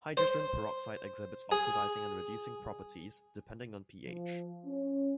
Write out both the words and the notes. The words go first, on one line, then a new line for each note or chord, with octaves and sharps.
Hydrogen peroxide exhibits oxidizing and reducing properties, depending on pH.
C5
G#4
F3
C#4